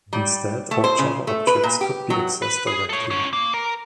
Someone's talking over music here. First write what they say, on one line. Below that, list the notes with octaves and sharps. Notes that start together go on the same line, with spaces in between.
Instead, all Java objects could be accessed directly.
G3
A3
C5
C#3
A3
B4
A#2
G4
F#3
B4
G#4
A4 C#5
D3 C#4
A#3
A#4